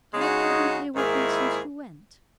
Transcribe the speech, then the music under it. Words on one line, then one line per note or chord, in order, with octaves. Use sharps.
"I have had him here with me since you went."
C#3 G#3 D#4 F#4
G#2 D#3 A#3 E4 G#4